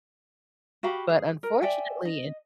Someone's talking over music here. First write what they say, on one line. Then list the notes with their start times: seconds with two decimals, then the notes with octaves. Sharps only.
but unfortunately in
0.83 F#4 G4 F5 B5
1.09 G#4
1.43 A#4
1.62 D5 E5 G5 G#5
2.05 D#5